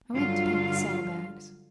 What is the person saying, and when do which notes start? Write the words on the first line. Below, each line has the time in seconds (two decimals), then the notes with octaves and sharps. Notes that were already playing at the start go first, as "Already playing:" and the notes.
'I went to pack the saddle-bags.
0.13 G2 D3 F#3 F4 F5